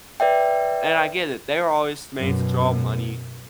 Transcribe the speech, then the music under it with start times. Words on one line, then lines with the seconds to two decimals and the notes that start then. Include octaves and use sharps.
And I get it, they're all just made to draw money,
0.20 B4 D5 E5 G5
2.18 F#2 B2